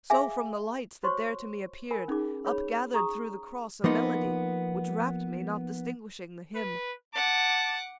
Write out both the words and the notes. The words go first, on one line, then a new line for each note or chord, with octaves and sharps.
So from the lights that there to me appeared Upgathered through the cross a melody, Which rapt me, not distinguishing the hymn.
G#4 E5 F5 G#5
F#4 C5 C#5 C6 C#6
A#4 G#5 B5
C#4 D#4 G#4 D6
G#4 C#5 B5
G#4 A#5 C#6 D#6
F3 A#3 B3 D#4
B4
F#5 A5 D6